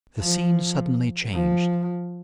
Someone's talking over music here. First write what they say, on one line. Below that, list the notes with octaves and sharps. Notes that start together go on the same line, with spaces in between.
The scene suddenly changed.
F3
F3